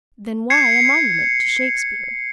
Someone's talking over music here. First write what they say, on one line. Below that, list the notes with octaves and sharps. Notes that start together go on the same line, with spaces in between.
Then why a monument to Shakespeare?
G#6 C7 C#7